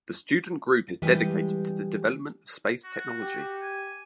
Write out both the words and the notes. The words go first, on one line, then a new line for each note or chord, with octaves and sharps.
The student group is dedicated to the development of space technology.
E3 G3 G#3 G4 B4
F#4
G4
G#5